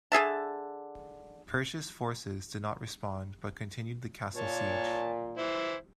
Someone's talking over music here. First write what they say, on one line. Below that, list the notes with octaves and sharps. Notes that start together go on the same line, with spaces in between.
Perche's forces did not respond, but continued the castle siege.
D3 G#4 E5 A5
A#2 C#5 A5
E3 E4 C5